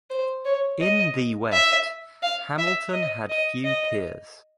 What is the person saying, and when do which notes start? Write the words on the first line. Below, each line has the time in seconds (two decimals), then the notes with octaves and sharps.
In the wet, Hamilton had few peers.
0.10 C5
0.45 C#5
0.81 D#5
1.53 E5
2.23 F5
2.58 E5
2.93 D#5
3.29 D#5
3.64 D#5